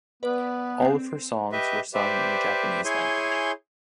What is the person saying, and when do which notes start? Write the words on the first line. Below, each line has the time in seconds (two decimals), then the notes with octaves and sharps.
All of her songs were sung in the Japanese language.
0.23 B3 B4 D5
0.82 C4
1.52 G4 B4 D#5 E5
1.94 G4 B4 C5 D5 E5
2.84 E4 G#4 C#5 G#5 C6 G6